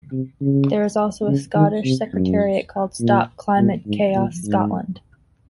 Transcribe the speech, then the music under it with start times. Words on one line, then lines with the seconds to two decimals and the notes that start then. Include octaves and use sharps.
There is also a Scottish secretariat called Stop Climate Chaos Scotland.
0.12 C3
0.41 C#3
1.27 C#3
1.55 D#3
1.84 C3
2.13 F#2
3.00 A#2
3.58 A#2
3.86 G#2
4.15 A#2
4.44 G#2